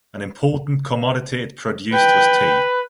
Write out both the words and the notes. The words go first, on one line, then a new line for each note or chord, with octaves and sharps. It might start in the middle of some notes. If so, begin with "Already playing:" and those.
An important commodity it produced was tea.
B4 G5